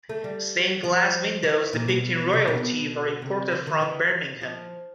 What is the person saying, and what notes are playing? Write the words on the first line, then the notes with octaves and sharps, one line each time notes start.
Stained glass windows depicting royalty were imported from Birmingham.
A3
G3
F3
E3
A#2
B2
C3
B2
C3
D3
D#3
E3
F3